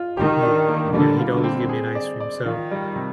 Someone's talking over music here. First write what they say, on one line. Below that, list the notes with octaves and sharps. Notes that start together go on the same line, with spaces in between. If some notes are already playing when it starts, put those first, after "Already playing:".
Yeah. Yeah, he'd always give me an ice cream. So,
Already playing: F4
D#3 G4
D4
A#3
D3 G3
F4
D3
C4
G#4
D5
D5
D#3 F4
G3
C3